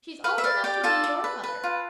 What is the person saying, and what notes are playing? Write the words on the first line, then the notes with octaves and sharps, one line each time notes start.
She's old enough to be your mother.
B4 F5
E5
D5 F5
G4 D5 G5
F4 A4 A5
D5
B4
B4
F4